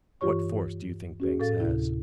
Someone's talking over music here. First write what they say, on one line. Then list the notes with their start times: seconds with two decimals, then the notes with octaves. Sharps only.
"What force do you think Banks has?"
0.21 G2 E3 F4 G4 C#5 C#6
1.20 C#4 F#4 G#4
1.40 A2 A4 F5 A6
1.60 D2 C3 E4